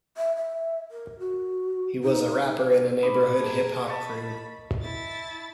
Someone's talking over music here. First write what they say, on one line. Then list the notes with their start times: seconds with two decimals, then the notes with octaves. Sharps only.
He was a rapper in a neighborhood hip hop crew.
0.17 E5
0.37 E5
0.91 A#4
1.19 F#4
2.04 D#4
3.03 D#4 C5 B5 C6 D6
3.36 A#3 G#4 A#4 A5
3.87 D#5 A5 B5 C#6
4.82 E4 A6